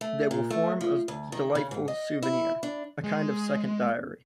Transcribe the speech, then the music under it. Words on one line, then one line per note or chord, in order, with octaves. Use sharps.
They will form a delightful souvenir, a kind of second diary.
A3
A#2
A3
F3
D2
D#3
C#3
G#2
D#5
E4
D4
G#3